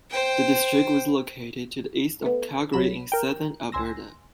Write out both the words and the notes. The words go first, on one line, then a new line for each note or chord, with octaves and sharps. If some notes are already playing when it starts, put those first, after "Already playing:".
The district was located to the east of Calgary in southern Alberta.
C5 G5
A3 B3
B1 F#3 B5 E7
A#4 G5
C#2 G#5 C6 E6 A#6